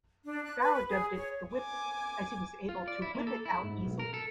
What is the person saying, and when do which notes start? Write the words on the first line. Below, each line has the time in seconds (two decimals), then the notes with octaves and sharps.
Barrow dubbed it the "Whippit", as he was able to "whip it" out easily.
0.23 D4
0.44 F#6
0.58 B4
0.71 B4
0.88 G#4
1.15 C#5
1.54 G#5 D6
2.69 F4
2.88 D5
3.02 E4
3.15 A#3
3.27 A4
3.46 E4
3.63 G#2
3.85 B1
3.99 A#4
4.14 A4